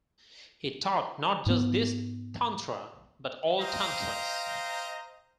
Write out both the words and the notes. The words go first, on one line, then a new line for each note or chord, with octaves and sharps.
He taught not just this tantra, but all tantras.
G#2 B3
C5 D#5 F5 G5 A#5